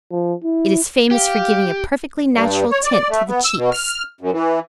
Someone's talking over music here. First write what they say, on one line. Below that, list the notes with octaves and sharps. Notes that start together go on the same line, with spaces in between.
It is famous for giving a perfectly natural tint to the cheeks.
F3
E4
G4 F5
G2
C#5
D5
A3
B3
E6
B2
F6
F#2
E3